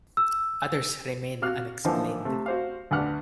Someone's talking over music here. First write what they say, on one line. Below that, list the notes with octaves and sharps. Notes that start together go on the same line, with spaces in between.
Others remain unexplained.
E6
F#4 F5 F6 F#6
D3 E3 F3 A#3 D4 D#4
C3 A3
F#4 C5 F5
D2 D4 B4 F#5 F6